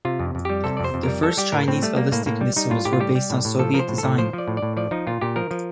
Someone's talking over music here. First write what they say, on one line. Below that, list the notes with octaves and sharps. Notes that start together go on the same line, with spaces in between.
The first Chinese ballistic missiles were based on Soviet design.
C3 F4
F2
F2
G3 G4
C3 A4
D5
F2 C5
F2
G3 A#4
G3 A4
G3 G4
A2 A#4
A2 C4
G3 A3
G3 A#3
A2 A#3
A2 A#3
G3
G3 D#4
A2 F4
A2 G4
F4
G3 G4
G3
A2
A2
F3 A4
F3 A#4
C5
A2
A4
A2
F3 C5
F3 D5
A2
D5
A2
F3 D5
F3 D#4
A#2 F4
A#2 G4
F3 A#4
F3